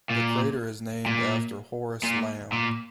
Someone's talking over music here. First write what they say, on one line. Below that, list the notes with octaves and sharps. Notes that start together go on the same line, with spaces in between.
The crater is named after Horace Lamb.
A#2
A#2
A#2
A#2